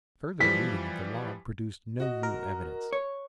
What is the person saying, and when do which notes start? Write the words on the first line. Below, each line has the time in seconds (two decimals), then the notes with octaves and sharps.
Further reading of the log produced no new evidence.
0.40 E3 F3 G3 B6
2.00 F#4 D#5
2.23 A#4
2.93 C#5